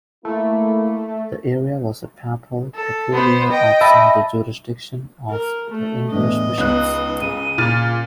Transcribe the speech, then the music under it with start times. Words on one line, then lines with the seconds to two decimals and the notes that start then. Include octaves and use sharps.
The area was a papal peculiar outside the jurisdiction of the English bishops.
0.25 A3 A#3 E4
2.74 A4
3.13 B3 C5
3.50 D#5 G5
3.81 E5 A5 B5
5.30 A#4
5.71 A3
6.12 E2 A2 D4 D#5
6.58 C#2 B3 D#4 F#6
7.22 C#3 D#7
7.58 A#2 F6 A6